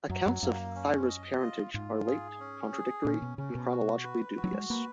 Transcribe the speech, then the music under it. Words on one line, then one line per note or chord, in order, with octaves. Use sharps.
Accounts of Thyra's parentage are late, contradictory and chronologically dubious.
F#2 F#3
F#2
F#2 A#3
C#4
D#5
F4
G#2 F4
G#4
C#4
G#4
A#2 C#4
B2
C#3 C#4
B2
F#4
B4
F#4
F#3
G#3
A#3 B4